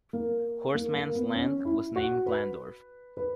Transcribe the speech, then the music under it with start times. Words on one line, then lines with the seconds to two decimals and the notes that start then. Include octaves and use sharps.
Horstmann's land was named Glandorf.
0.13 A#3
0.75 A#3
0.95 A#3
1.15 B3
1.35 C#4
1.65 E4
1.96 F#4
2.26 B4
3.17 B4